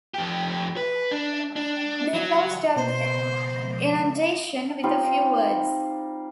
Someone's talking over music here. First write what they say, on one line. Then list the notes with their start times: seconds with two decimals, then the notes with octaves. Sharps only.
They closed up the inundation with a few words.
0.14 F2 G4
0.76 B4
1.11 D4
1.56 D4
2.14 F#3
2.76 B2 B3 C5
4.83 G3 C4 D#4 F4